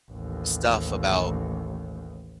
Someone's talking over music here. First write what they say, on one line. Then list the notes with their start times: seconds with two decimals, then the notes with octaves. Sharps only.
stuff about
0.11 A1 D#2